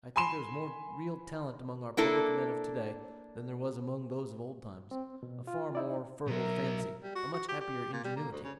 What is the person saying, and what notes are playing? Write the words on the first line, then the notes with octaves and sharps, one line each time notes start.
I think there is more real talent among our public men of to-day than there was among those of old times--a far more fertile fancy, a much happier ingenuity.
G#5 B5 C6 E7
A#3 D4 E4 A4
C4
B2
F4
D#4 E4 D5
B2 F#3 A#4 E5
G3
F#4
F#4
G4
G4
A#2
G3
A#3
D2
C#3